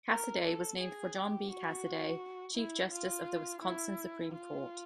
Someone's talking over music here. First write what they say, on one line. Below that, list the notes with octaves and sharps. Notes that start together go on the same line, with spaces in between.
Cassoday was named for John B. Cassoday, chief justice of the Wisconsin Supreme Court.
A#4
A4
G#4
G4
F#4
E4
F4
E4
F4